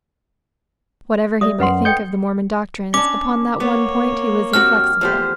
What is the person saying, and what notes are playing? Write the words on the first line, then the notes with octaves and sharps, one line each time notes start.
Whatever he might think of the Mormon doctrines, upon that one point he was inflexible.
G3 D5 E5 D#6
F#2 B4 F#5 C6
A4 D#5 G5 G6 C#7
C#4 D4 D6
A#3 B3 C#5
G2 C4 F#4 F6
E2 F3 A3 G4 C5